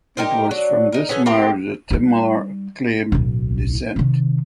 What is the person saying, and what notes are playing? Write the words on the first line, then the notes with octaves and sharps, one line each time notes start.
It was from this marriage that Timur claimed descent.
D#4 G4 A#4 C5
F#3 D4
D#4 A#4
B3 C#4 G#4 A4
A#3 C4 G4
G3 D#4
D1 B1
C3 D#3